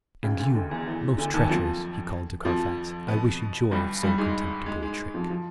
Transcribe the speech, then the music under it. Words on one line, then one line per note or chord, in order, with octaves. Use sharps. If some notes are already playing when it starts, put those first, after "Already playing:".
"And you, most treacherous," he called to Carfax, "I wish you joy of so contemptible a trick."
C#2 C#3
D2 D3
D2 D3
E2 E3
E2 E3
D2 D3
D#2 D#3
F#3
F2 F3
F2 F3
B2 B3
G2 G3
G2 G3
G#2 G#3
G#2 G#3
G#2 G#3
F2 F3
F3